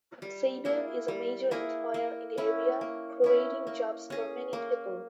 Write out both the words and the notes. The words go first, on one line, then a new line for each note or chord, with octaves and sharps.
Sabian is a major employer in the area, creating jobs for many people.
G3
A#3 E4 G#4
G3
A#3 E4 G#4
A#3
C#4 E4
A#3
C#4 E4
A#3
C#4 G#4
A#3